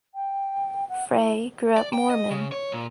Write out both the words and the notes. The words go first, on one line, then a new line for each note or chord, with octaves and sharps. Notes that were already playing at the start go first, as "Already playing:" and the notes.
Frey grew up Mormon.
G5
F#5
E4
D5
G5
D#5
C#3
C#5
A#2